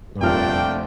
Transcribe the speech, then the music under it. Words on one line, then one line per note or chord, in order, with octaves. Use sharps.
Oh, yeah.
F1 G2 A#2 A3 C4 D4 G5 F6